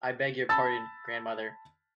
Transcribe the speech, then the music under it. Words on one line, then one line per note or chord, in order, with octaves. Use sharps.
I beg your pardon, grandmother.
A5 B5 E6 A6